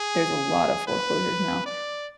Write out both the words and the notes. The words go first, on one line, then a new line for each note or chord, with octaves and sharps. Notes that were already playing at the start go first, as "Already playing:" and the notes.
there's a lot of foreclosures now,
Already playing: G#4
B4
D5